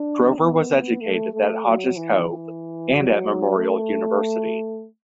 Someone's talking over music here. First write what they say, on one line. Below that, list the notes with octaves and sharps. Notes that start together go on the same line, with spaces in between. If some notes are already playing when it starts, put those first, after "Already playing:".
Drover was educated in Hodge's Cove and at Memorial University.
Already playing: D4
B3
A3
A3
F#3
E3
E3
F#3
A3